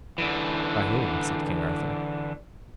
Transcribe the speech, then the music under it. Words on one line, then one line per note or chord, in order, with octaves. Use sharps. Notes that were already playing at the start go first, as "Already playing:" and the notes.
By whom? said King Arthur.
D3 E3